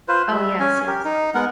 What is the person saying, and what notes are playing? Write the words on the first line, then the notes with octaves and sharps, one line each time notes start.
Oh, yes, yes.
F4 B4 C5
G3 E5
C#4 G#5
G4 A#4
D#4
G#3 B3 A#4 F#5